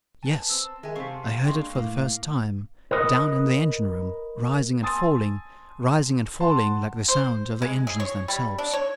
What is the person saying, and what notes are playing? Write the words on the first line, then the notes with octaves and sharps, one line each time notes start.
"Yes, I heard it for the first time--down in the engine-room; rising and falling, rising and falling, like the sound of the engines themselves."
B4 G#5 A5
C4 E6
D#3 G#3 E5 G#5
C3 C4 A4 F5 C#6 B6
G#3 A#3 D4 G5 C6 C#6
A2 A#3
A#4 B4 D#5
G#5 A5 C6 D#6 E6 A6
F#5 A5 C6
C5
G#3
G#4
C#5
G3
D4
C#5